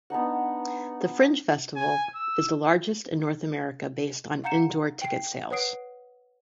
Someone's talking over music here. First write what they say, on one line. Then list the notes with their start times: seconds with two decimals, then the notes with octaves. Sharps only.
The fringe festival is the largest in North America based on indoor ticket sales.
0.10 B3 D4 D#4 F#5
1.76 G#5
2.15 E6
4.44 F5 F#5 A#5 G6 C#7 E7
5.02 G5 C7
5.50 B4 C#5 F#5 D#6 C7 D7